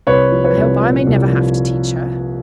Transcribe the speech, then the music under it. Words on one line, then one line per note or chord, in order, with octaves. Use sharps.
"I hope I may never have to teach her."
C2 B4 C#5
F3
B4 C#5
C2
A#2
C2
F3